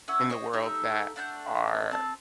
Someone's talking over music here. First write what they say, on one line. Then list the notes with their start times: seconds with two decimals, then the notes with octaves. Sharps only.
in the world that are
0.08 C#4 E4 F#5 E6
0.30 C5 C#5 D#5
0.53 D#4 G4 A4 E5
1.16 A3 D4 F#5 G6
1.91 C4 A5